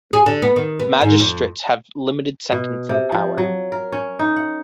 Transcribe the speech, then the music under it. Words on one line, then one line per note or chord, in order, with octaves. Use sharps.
Magistrates have limited sentencing powers.
G#4
D3
B3
D#3
B3
G#2
F2
B2
C3
F3
F#3
A#4
C#4
D#4
F#5